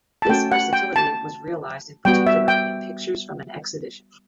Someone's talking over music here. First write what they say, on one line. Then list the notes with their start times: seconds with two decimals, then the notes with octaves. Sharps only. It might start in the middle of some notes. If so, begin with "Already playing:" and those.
This versatility was realized in particular in “Pictures from an Exhibition”.
0.22 A5
0.29 A3 C#4 F#4 G5
0.52 F#5
0.73 G5
0.96 A5
2.05 G3 B3 F#4 G5
2.27 E5
2.48 G5